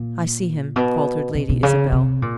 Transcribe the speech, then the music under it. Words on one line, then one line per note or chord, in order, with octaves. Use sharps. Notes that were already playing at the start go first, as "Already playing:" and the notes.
"I see him," faltered Lady Isabel.
Already playing: A#2
B2
C3
B2
C#3
C3
A#2